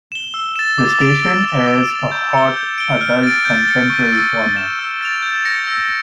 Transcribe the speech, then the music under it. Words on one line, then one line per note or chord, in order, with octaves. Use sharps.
The station airs a hot adult contemporary format.
E7 G7
E6
A6 E7
D6
A6 D7 F7
E6
A6 E7 G7
D6
A6 D7 F7
G6
C#7 G7
G6
D7 G7
F6
A6 D7
G6
C#7 G7
C#6
E6 A6 D7
E6
A6 E7
E6
A6 D7 F7
G6
A#6 C#7
E6